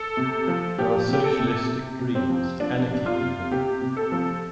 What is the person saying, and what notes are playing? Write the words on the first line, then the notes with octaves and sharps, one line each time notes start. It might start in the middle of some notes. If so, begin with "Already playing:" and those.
There are socialistic dreams — anarchy even!
Already playing: A4
C3
F3
F3 G4
C3 G4
A4
C3
C3
C3
C4
F3
F3 D4
C3
F4
C3
C3 G4
C3
A4
F3